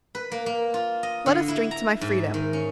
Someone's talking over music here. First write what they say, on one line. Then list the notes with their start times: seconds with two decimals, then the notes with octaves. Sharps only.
Let us drink to my freedom.
0.15 B4
0.32 A#3
0.46 A#3
0.74 F4
1.03 D#5
1.26 D3
1.48 E4
1.71 A#5
2.01 G#2
2.34 D#3
2.53 C#4